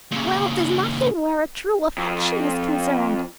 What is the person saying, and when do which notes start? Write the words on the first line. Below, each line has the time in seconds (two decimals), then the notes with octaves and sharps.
Wealth is nothing where a true affection is concerned.
0.12 A#2 C#3
1.98 F2